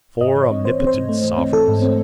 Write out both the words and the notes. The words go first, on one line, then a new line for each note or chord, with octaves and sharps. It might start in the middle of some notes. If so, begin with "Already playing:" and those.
Four omnipotent sovereigns.
G#2 D#5
E3
C#5
C4
E3 C5
C4
C5
G#2
A3
E3
C4
E3 A4
G#2
C4